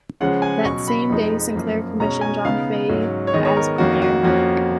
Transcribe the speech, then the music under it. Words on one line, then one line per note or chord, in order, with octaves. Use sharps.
That same day Sinclair commissioned John Fahey as Premier.
C#3 F3 G#3 C#4 F#5
G#5
B2 F#3 C#4 C#6
B5
F2 F3 G#3 D#4
F#2 F3 A#3
B2 G#3 C#4 A#5
G#5
C#3 G#3 B3 D#4 F5
G#2 F#3 C#4
C#5
D#3 G#3 B3 D#5
C#5
A#4
F2 D#3 A#3 C#4 F#4
F#4
F2 F3 A#3 C#4 F#4